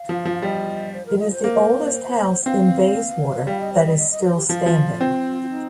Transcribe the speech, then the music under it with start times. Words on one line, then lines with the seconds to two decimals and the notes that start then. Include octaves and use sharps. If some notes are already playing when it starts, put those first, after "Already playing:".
It is the oldest house in Bayswater that is still standing.
Already playing: F5
0.09 F3
0.25 F3
0.42 G3 D#5
0.93 C5
1.06 A#4
1.19 D#5
1.32 C5
1.44 A#3
2.46 C4 F5
3.47 G3 F5
3.60 D#5
3.73 C5
3.85 D#5
3.99 D#5
4.11 D#5
4.24 C5
4.36 G4
4.49 F3 F4
4.66 F3
5.01 C4
5.42 F4
5.51 D#4